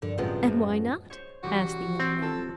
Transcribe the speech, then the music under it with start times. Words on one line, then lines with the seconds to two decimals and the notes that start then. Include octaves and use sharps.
"And why not?" asked the young man.
0.02 G2 D3 F3 A#4
0.18 G1 F#2 A2 C3 F3 G#3 B3 F4
0.47 F#2
1.10 C5 C#5
1.43 A1 G3 F#4 G4
2.00 C4
2.22 F4 A4